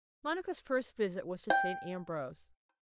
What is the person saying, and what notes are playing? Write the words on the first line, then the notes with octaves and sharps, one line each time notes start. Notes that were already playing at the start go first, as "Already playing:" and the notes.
Monica's first visit was to St. Ambrose.
G5